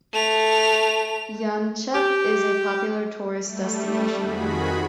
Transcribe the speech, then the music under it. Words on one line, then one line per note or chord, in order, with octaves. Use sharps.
Yanchep is a popular tourist destination.
A3 F7
G4
G3 A3
F2 D#3 F#4 G#4 B5